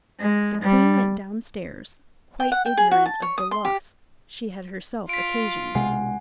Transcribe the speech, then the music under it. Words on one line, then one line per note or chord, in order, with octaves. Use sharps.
The queen went down-stairs, quite ignorant of the loss she had herself occasioned.
G#3
G3
G5
F#5
G5
G#4
F#4
A5
C#5
D#6
C6
G4
F4 B6 D7
B1 C3 G#3 F#5 G#5